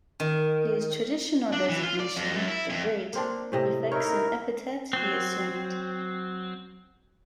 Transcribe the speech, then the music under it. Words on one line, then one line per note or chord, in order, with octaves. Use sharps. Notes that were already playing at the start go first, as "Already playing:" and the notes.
His traditional designation, "the Great", reflects an epithet he assumed.
D#3
D4
E3
F4
D5
F2
F#2
E4
F2
A#3 C4 D4
A2 C3 D#5
D#4 E4 A#4 C#5
F#3 C4